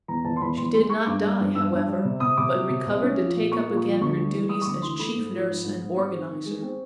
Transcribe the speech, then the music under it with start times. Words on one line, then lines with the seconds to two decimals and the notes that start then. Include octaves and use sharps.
She did not die, however, but recovered to take up again her duties as chief nurse and organizer.
0.08 E2 A#5
0.24 E2 A5
0.36 C6
0.41 E2 B5
0.57 E2 C6
0.74 G#3 C6
0.89 G#3 C#6
1.06 G2 D6
1.23 G3
1.40 G2
1.55 G2 E6
1.72 G2
1.88 G3
2.05 C3
2.20 C3 D#6
2.37 C3 D6
2.54 F#3
2.69 C3
2.86 C2
3.03 C#4
3.19 F3
3.36 A#2
3.52 A#3 C#6
3.69 A#2
3.77 C#6
3.85 F3
4.01 D2 C#6
4.17 G3
4.33 E3
4.49 G3 D#6
4.61 C#6
4.66 D2 D6
4.82 E3 C6
4.99 A3 B5
5.15 G#2
5.32 F3
5.48 G#2
5.64 G#2
5.81 G#2
5.97 C4 C#6
6.13 D#3
6.29 D#3
6.46 G#3
6.62 C4